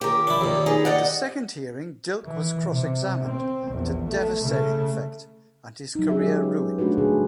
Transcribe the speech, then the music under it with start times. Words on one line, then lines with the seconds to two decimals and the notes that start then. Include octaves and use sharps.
At the second hearing Dilke was cross-examined to devastating effect and his career ruined.
0.01 C#2 D#3 G4 A#4 D6
0.27 D4 E4
0.41 D#2 A#2
0.66 D#4 G#4 B4
0.85 G4 D5 D#5 F#5
2.26 E3
2.67 C3
3.29 C4
3.69 A#1 E2
4.09 A3
4.41 C#3 A3
5.95 F#3 D#4
6.09 C#4 G4 G#4 E5
6.22 F#3 G#3 C#4 E5
6.43 B4
6.79 A3 D4 F4 F#4 B4
6.98 A#2 D3 G3 A3 G#4